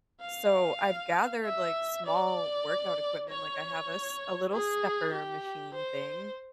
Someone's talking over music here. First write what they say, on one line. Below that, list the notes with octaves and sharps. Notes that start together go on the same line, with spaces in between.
so, I've gathered, like, small workout equipment, like, I have a s a little stepper machine thing
F5
E5
D5
C#5
G#4
G4
C5